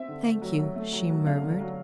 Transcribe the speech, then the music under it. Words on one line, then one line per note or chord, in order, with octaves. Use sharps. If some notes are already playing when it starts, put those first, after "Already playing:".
"Thank you," she murmured.
Already playing: C4 E5
D3
A3
F#3
F#3
A3
F#3
F#3
D3 F5
D3
F#3